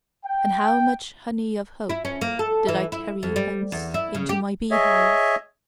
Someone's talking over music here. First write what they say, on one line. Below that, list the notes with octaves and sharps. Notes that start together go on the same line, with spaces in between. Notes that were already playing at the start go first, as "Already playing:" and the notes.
And how much honey of hope did I carry hence into my beehives!
G5
E4
C#4
A#3
A4
E3
E4
F2
G3
E2
E4
C#3
G4
G#4 C#5 D#5 E5